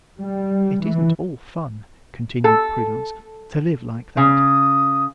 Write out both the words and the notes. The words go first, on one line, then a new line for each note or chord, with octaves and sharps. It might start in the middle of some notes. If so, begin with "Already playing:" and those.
It isn't all fun," continued Prudence, "to live like that.
G3
E3
A4
C#3 D#6